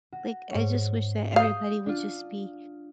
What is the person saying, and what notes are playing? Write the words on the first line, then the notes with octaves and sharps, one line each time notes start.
Like, I just wish that everybody would just be
F#4
G#2 C#5
F5 D#6 G6
D4 F4